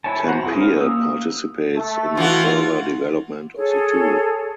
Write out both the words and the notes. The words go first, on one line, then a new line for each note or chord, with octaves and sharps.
Tampere participates in the further development of the tool.
E4 C#5 G#5 A5
B3 F#4 C5 A#5
C4 E4 G#4
C#4 A#4
A#3 G4 D#6 E6
A3
E3 F4 F#4
G#4 A4 C#5